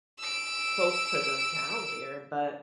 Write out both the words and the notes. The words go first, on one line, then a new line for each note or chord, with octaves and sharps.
close to them down there. But,
E6 D7